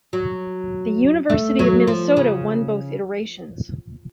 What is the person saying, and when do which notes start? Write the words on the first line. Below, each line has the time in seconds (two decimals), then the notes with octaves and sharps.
The University of Minnesota won both iterations.
0.13 F#3
1.30 A3
1.59 F#3
1.87 F3
2.17 C#3